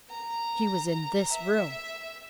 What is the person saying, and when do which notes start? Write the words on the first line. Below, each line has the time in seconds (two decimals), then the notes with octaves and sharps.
She was in this room.
0.10 A#5
1.32 E5